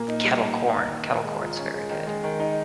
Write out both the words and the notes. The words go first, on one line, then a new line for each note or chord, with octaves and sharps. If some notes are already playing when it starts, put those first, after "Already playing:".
kettle corn, kettle corn's very good.
Already playing: A#2 A#3
D#4
G3
A#3
D#4
A#3
D#3
D#3
G#3
F4
C#4
G#3
D#3
G#3
D#3
D#4